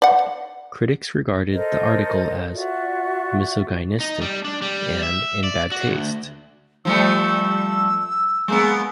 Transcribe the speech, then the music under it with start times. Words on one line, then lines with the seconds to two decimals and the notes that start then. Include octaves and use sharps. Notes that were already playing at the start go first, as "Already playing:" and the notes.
Critics regarded the article as misogynistic and in bad taste.
0.02 D5 F#5
1.52 A4 A#4 C5 D#5
2.53 F4 F#4 D5 E5
4.00 D#4
4.21 G3
4.45 D4
4.62 G3
5.03 E5
5.44 D5
5.72 F#4
5.87 D2
6.85 F3 G3 A3 E6
8.48 G#3 A#3 B3